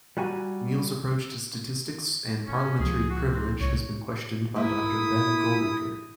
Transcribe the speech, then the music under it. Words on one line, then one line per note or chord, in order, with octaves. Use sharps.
Neill's approach to statistics and parliamentary privilege has been questioned by Doctor Ben Goldacre.
G3 F#4 G#5 A#5
C#4
C#2 F3 G#4
F#4
C4
C2 C#5
A#3 E4 E5 D#6